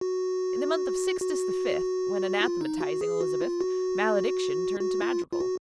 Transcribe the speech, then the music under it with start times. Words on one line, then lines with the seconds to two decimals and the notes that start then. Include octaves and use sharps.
In the mouth of Sixtus V., when anathematizing Elizabeth, malediction turned to madrigal.
0.01 F#4
1.22 F#4
2.41 F4
2.61 D#4
2.80 F#4
3.01 G#4
3.21 F#4
3.42 F4
3.61 F#4
4.80 F#4
5.01 F4
5.33 F4
5.40 F#4